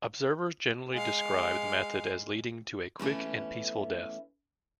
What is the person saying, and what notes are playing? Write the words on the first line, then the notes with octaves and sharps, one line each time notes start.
Observers generally describe the method as leading to a quick and peaceful death.
G#3 F5
E2 E3 A3 C#4